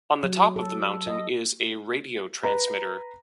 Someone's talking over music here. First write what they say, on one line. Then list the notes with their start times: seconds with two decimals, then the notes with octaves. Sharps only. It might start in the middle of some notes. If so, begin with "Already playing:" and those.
On the top of the mountain is a radio transmitter.
0.24 F#3
0.56 A4
1.07 D#5
2.44 B4 A#5